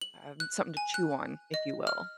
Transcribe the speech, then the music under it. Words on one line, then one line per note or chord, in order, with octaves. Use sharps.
um, something to chew on, if you will.
F#7
F#6
G#5
F#6
D#5
F6